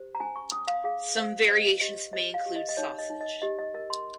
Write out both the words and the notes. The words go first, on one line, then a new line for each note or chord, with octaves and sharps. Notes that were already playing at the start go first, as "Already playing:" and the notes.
Some variations may include sausage.
Already playing: G4 C5
A#5
C#4 G#5
C#6
C#4 D#6
F5
G#4 F5
C5 F5
C5 D#5
G4 D#5
C5 D#5
F5
G4
D#5
D#5
D#4 C#5
D#5
D#4
D#5
G4 D#5
D#5
A#4 D#5
C6